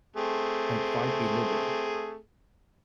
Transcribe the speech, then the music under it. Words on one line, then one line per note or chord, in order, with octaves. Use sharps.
I quite believe it.
A3 C4 G#4